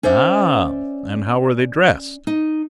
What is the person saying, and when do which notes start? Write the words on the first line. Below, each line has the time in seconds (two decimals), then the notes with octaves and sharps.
"Ah! and how were they dressed?"
0.03 C#4 C5 D5 E5
2.27 D#4